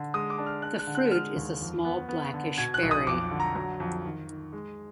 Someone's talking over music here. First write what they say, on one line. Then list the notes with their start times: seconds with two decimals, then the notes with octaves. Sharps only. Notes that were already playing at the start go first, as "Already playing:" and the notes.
The fruit is a small blackish berry.
Already playing: D3
0.14 G#3 D#6
0.30 D6
0.38 D4
0.46 F6
0.62 D4 F#6
0.79 F#6
0.87 D3
0.95 F#6
1.11 G#3 F6
1.36 D#2
1.61 F2
1.85 B3
2.09 B3
2.33 D3
2.58 B2 G#6
2.74 F#6
2.83 B1
2.91 D#6
3.07 F2 D6
3.31 D3
3.40 A#5
3.55 F#3 A#5
3.80 F2
4.05 D#3
4.28 D#3
4.53 G#3